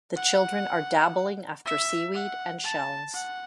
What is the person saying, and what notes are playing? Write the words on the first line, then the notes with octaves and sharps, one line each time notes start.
The children are dabbling after seaweed and shells.
F#5
E5
F#5
A5
F#5